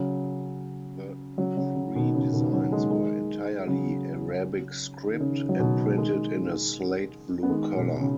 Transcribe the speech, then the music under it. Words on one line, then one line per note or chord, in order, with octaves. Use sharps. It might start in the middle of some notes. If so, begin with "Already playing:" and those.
The three designs were entirely Arabic script, and printed in a slate blue color.
Already playing: C#3 F#3
C#3 F#3
C#3 F#3
C#3
B2 D#3
C#3
B2 D#3
C#3 F#3
D#3 G#3
D#3 G#3
C#3 F#3
D#3
C#3
F#3
B2 D#3
D#3 G#3
B3
D#3 G#3
B2 D#3
C#3